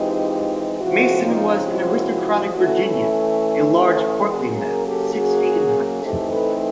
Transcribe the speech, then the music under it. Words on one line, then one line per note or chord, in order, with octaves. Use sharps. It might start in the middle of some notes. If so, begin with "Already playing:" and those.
Mason was an aristocratic Virginian, a large portly man, six feet in height.
Already playing: E3 G#3 C4 D#4 F4 G4
C3 F3 G#3 C#4 E4 F#4
D#4 F4
E4 F#4
E3 A3 C#4 E4 F#4
E4
C#3 F#3 A#3 F#4 G#4
G#4 A#4
G4 A4
F#4 G#4
E3 A3 C4 D#4 G4 A4
A4 B4